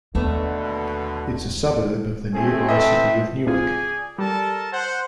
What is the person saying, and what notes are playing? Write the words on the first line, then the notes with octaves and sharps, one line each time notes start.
It's a suburb of the nearby city of Newark.
D#2 B2 D3 A3 B3 D4
A3 C4 G#4
A4 B4 D#5 E5
C#2 C4 F4 G#4 D5 G#5
G3 A4 A#4 A5
C5 F#5